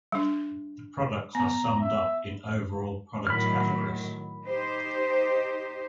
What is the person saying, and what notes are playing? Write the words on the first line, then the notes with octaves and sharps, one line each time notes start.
The products are summed up in overall product categories.
G3 D4
B3 A#5
E5
A2 D#3 F#3 B5 F6
D#4 G4 C5